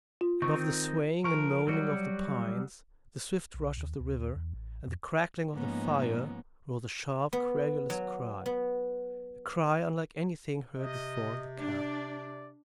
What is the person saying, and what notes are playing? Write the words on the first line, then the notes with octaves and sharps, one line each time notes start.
Above the swaying and moaning of the pines, the swift rush of the river, and the crackling of the fire rose a sharp, querulous cry,--a cry unlike anything heard before in the camp.
F4
D#3 C4 D#4 C#6
F3 A#4 C#6
F#3 G3 F#4
B1
D#2
D2
D#2
E2
A1
F2
G#2 F3 A#3 B3 C#4 D#4
B3
F#3
B3
C3 D#5
D4 D5